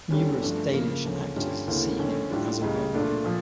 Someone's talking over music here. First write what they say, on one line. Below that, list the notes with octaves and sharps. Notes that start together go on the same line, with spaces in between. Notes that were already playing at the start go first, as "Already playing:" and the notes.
Numerous Danish actors see him as a role model.
E2 D3 G3 C#4
G2 F3 A3 D4
C#3 F3 A#3
D2 C#3 F3 C#4
G2 D3 G3 C#4 F4
D2 C#3 E3 A#3 C#4
F2 D3 A3 C#4
A2 G3 D4 F4
C#2 C#3 G3
A#2 A3 D4 F4
A#2 F3